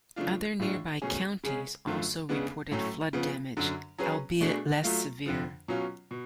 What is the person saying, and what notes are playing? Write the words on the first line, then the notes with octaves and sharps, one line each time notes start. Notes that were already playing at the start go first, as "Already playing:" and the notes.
Other nearby counties also reported flood damage, albeit less severe.
C#3 F3 A3 D4 F4
A2 F3 G#3 D4 F4
B2 A3 C#4 G#4
C#3 G#3 C#4 G#4
F#2 D3 F3 A3 F4
C#3 G#3 B3 D4
A2 F#3 A3 C#4
C#3 F3 B3
F#2 D3 F#3
F#3 C#4 G#4 B4
B2 A3 D4 G#4
F#3 A3 F4
F2 D3 F3
B2 F#3 C#4 F4
B2